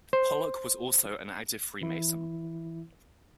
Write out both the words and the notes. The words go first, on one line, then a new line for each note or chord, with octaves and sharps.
Pollock was also an active freemason.
C5
E3 E4